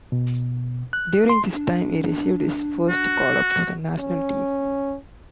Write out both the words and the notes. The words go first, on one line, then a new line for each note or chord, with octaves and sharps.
During this time, he received his first callup to the national team.
B2
F#6
C6
D4
F#4
C#4